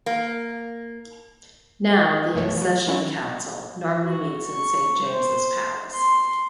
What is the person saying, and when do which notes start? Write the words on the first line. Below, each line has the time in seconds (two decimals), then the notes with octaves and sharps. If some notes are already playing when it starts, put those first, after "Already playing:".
Now, the Accession Council normally meets in Saint James's Palace.
0.06 A#3
2.34 B1 F#2 E3 A3 C#5
2.57 F3 F#3
2.87 F#3 C#4 E4
4.03 F#4
4.47 C#6
5.04 C5
5.93 C6